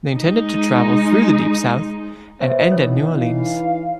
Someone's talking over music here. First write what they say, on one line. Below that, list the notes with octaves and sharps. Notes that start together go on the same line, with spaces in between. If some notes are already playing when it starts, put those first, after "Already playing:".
They intended to travel through the Deep South and end at New Orleans.
G#3 D#4
B3 C5 C#5 E5
E3 D#4 C#5
F5